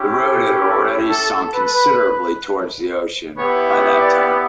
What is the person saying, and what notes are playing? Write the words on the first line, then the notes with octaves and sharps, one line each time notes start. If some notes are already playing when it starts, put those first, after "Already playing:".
The road had already sunk considerably towards the ocean by that time.
Already playing: C#4 E4 G4
A4
A4
A4
B4
B3 E4 G4 C#5
C#5
D5